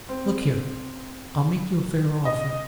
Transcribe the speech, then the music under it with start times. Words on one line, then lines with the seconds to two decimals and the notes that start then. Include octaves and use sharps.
Look here!--I'll make you a fair offer.
0.09 C4
2.25 D#5